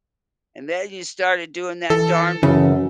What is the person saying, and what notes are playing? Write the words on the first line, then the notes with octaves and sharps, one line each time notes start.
"And then, you started doing that darn
E3 A4
F#2 C#3 E3